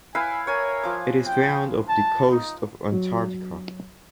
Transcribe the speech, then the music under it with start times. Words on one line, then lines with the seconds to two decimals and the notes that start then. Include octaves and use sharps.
It is found off the coast of Antarctica.
0.15 E4 B4 F5 G#5
0.47 A#4 C#5 G#5
0.83 F3 D6
1.26 G5
1.89 A5
2.31 D#4
2.92 F#3